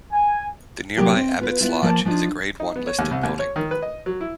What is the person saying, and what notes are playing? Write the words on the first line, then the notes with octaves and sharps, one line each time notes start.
The nearby Abbot's Lodge is a Grade One listed building.
G#5
C3 F#3 A#3 D#4 G4 A#4
C4
B3 F4 B4
B3 E4 F4
F3 A#3 A#4 G#5 A5
F3 D4 D#4 F4
D#4
B3
C#5
D#2
C2
D#2
C#5
D#3
B4
D#5
F#3
E4